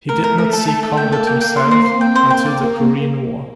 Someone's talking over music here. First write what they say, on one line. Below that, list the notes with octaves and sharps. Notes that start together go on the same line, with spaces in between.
He did not see combat himself until the Korean War.
A3 A#4
A#4
A#4
A4
A4
A4
A#3 G5
A4
G5
G5
C6
C5
C4 C6
G5
C5
A#3 G5
D5